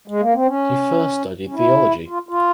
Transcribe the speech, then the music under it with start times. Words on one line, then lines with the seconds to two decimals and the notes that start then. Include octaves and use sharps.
He first studied theology.
0.08 G#3
0.20 A#3
0.34 C4
0.47 C#4
1.47 C#4
1.55 E4
2.08 F4
2.29 F4